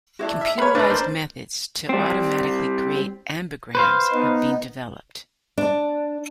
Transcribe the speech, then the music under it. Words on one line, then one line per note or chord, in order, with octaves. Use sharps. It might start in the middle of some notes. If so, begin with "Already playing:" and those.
Computerized methods to automatically create ambigrams have been developed.
D4 E4 F#4
E5
B3 A#4 B4 C#5 B5
G#1 D4 B4 B5
A#3 D4 C5
G3 C4
B4 C5 F5
B3 D#4
D4